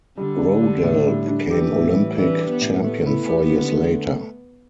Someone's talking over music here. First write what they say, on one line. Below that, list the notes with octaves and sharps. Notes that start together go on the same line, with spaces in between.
Rodal became Olympic champion four years later.
D3 G3
D4
G4
A2
G3
D4
E3 G4
A2
G3
E3 D4
G4
B3
A2
A3 B3
E4
G4
D3
A3